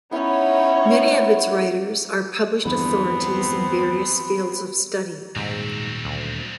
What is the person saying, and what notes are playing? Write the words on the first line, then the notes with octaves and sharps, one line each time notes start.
Many of its writers are published authorities in various fields of study.
B3 C#4 D#4 E4 C#5
E2 G2 D3 F3 B3 C4 B5
D#1 G#2 B2 F#3 C4
D2